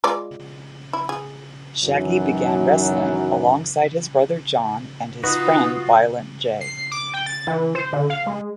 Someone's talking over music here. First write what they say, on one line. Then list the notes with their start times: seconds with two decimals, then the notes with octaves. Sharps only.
Shaggy began wrestling alongside his brother John and his friend Violent J.
0.04 G#3 F4 D5
0.93 E4
1.09 G#4
1.84 F#2 D#3 E3 F#3
5.24 D#4 F4 F#4 B4 F#5 D#6
6.61 C7
6.91 D6
7.14 G5
7.26 A6
7.47 E3
7.75 C5
7.93 D3
8.10 F5
8.26 G#3